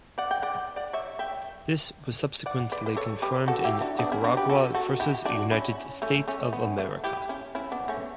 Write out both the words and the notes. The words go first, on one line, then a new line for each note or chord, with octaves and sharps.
This was subsequently confirmed in "Nicaragua versus United States of America".
D5 F#5
G5
D5 F#5
D5 F#5
C#5 E5
E5 G5
D5 F#5
B4 D5
B4
A4 C#5
G4 B4
F#4 A4
E4 G4
D4 F#4
B3 D4
C#4 E4
D4 F#4
G4 B4
F#4 A4
F#4 A4
E4 G4
D4 F#4
C#4 E4
A3 C#4
A3 C#4
B3
A3
E4 G4
C#4 E4
C#4 E4
B3 D4
A3 C#4